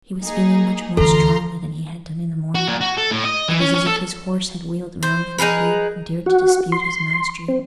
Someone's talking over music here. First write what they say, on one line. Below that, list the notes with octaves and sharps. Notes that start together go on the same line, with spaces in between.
He was feeling much more strongly than he had done in the morning: it was as if his horse had wheeled round from a leap and dared to dispute his mastery.
A#3 D#4 G#4
D2 E3 F4 A4 A#5 C6
F#4
A#2
F#4
A4
A2
D#5
E3
C#4
C#4
A4
C5
D#4 G#4 A#4 B4
F#4
C6
C4